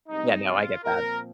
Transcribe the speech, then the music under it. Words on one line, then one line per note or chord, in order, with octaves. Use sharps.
Yeah, no, I get that.
C2 C3 G#3 C4 D#4
F4
A#2 F3 C4 A#4